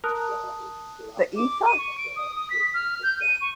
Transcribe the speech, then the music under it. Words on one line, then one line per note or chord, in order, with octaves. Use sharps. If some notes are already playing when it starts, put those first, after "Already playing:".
The ether?
A#4 A5 D#6 F#6
D6
D#7
C#6
D7
D#6
D#6
B6
F6
G6
D#7
C#6